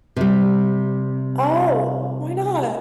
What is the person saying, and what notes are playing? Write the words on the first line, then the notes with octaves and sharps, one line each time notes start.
Oh! Why not?
C3 G3